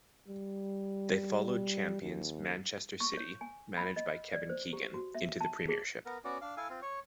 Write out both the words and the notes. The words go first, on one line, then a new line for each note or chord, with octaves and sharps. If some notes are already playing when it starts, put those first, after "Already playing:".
They followed champions Manchester City, managed by Kevin Keegan, into the Premiership.
G3
D#2
C#6
C#5
G#5
B5
D#5
D5
C5
G4
F#4
E5
A5
G#4
B3 A#4
B3 C#4 F#4 D5
D4 F5
E4 A4 F5 G#5
C4 F4
C#5 C#6